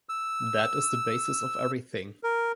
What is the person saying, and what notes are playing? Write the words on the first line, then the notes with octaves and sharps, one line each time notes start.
That is the basis of everything.
E6
A#4